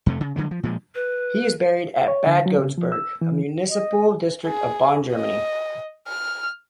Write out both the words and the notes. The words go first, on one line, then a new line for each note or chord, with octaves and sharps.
He is buried at Bad Godesberg, a municipal district of Bonn, Germany.
F2 C3 A3
C#3
D3 F#3 G#3
F3
A#2 F3 G#3
B4
C#5
D3
F#3
C#3
F3
E6
E3
D#5
G#4
D#5
F6